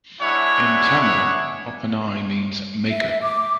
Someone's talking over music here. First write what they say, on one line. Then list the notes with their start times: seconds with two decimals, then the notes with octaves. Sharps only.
In Tamil, 'Oppanai' means make up.
0.20 G#3 D4 E4 C#5 E5 F#5
2.90 E5
3.22 D6